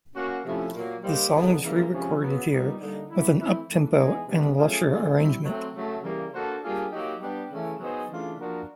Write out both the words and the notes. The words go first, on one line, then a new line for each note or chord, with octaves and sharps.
The song was re-recorded here with an uptempo and lusher arrangement.
A#3 C#4 F#4
C3 F3 A3 C#4 E4
A#2 F#3 A#3
G3 A#3 D#4 G4 C5
D3 F3 G#3 B3 D#4
C#3 E3 G3 A#3
C3 F3 G#3 C#4
C#3 F#3 B3
A#2 G3 B3 D#4
D3 G3 A#3 D#4
E3 G3 B3 E4
E3 A3 C4 E4
E3 A3 D4
E3 G#3 B3 D#4 G#4
C3 D#3 G3 B3 D4
A3 C#4 F4 G#4
A2 E3 G#3 C#4 F4
G3 C4 E4
F#3 A3 C4
C#3 F#3 A3
C#3 E3 G3 A#3
A#3 D4 F#4 A4 C5
G3 A#3 D4 F4 G#4
F#3 A#3 D#4 G4
G3 B3 D4 G4
C#3 E3 A3 C#4
F#3 B3 D#4 G#4 C5
C#3 E3 A3 D4 F4
F3 A#3 D4 F#4 A#4